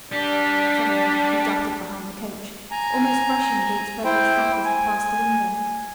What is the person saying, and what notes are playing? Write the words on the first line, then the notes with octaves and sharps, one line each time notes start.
Suddenly he darted behind the coach, almost brushing against Beverly's hat as he passed the window.
G3 D4 G4
G#5 A#5
E4 C5 G5
G#5